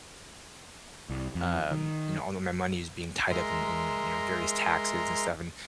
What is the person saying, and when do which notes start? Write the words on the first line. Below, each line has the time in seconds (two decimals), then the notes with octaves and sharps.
um, you know, all of my money is being tied up in in, you know, various taxes and stuff, and
1.09 C2
1.35 F2
1.71 D#3
3.31 G#3 A#4 E5 A#5 C6